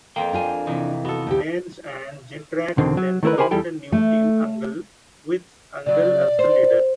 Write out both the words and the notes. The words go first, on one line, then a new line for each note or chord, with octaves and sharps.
Reigns and Jindrak then formed a new Team Angle with Angle as the leader.
F2 A#3 G5
D4 F4 G#5
C3 E3 D#4
B3 F#4 A4
D2 G4
E2 B2 D3 D#3 C4
F#3
D#3 A3 E4 A#4 B4
G4 A#4 C5 G#5 A#5 B5
E2 G3 E4 A4 G5
A3
C#3 F#3 D5
C5